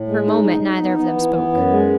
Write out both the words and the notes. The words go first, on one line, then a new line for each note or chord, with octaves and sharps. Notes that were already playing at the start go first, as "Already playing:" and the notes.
For a moment neither of them spoke.
Already playing: A2
G#3
D#4
D#4
D#4
B3
B3
E3
B3
F#2
G#3